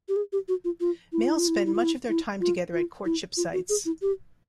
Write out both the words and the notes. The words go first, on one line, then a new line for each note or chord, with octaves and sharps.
Males spend much of their time together at courtship sites.
G4
G#4
G4
F#4
F4
F4
E4
F4
E4
F4
E4
F4
E4
F4
E4
E4
F4
F4
E4
F4
F#4
G#4
E4
G4